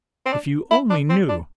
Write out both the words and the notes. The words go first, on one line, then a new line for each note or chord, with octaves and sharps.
If you only knew!
C4
D4
E4
D4
C4
D4